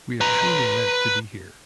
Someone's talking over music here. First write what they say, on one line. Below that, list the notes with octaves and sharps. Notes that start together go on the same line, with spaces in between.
We are truly meant to be here.
B4 A#5